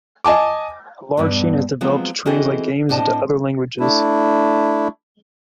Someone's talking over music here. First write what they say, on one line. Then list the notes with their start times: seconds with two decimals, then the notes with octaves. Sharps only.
A large scene has developed to translate games into other languages.
0.24 D#5 G#5 A5 D6
1.17 E2 G2 B2 B3
1.81 F3 F#3 G#3 B3 C4 F4
2.25 E3 C4 F#4 G#4 A4 D#5
2.89 A2 C4 D4 D#5 A5
3.80 A3 D4 E4